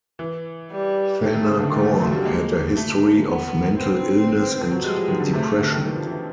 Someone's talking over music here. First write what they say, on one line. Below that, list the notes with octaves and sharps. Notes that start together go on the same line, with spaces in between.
Thanakorn had a history of mental illness and depression.
E3
G3
D#3 A3
D#3
C#3
D3
D#3 A3
E3
F#3
G3
G#3 A#3
A3
A3
A#3
A#3
B3
B3 C4
F3
F#3
G3 G#3
F3
D#3
D3
C3 A3
C3
D3
D#3
E3
F3
E3